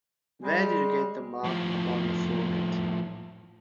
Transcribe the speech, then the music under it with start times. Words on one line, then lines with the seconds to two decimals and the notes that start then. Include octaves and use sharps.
Where did you get the mark upon your forehead?
0.42 G3 G#3
1.44 A2 F3